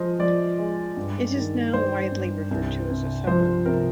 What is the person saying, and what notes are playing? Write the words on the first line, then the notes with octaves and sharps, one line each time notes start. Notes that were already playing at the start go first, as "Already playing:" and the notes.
It is now widely referred to as a suburb.
Already playing: F3 G#3 C5 D#5
F3 D5
G#3
G2
D#3
G3 C5
G2
C2
C3
F3 C5
C3 A#4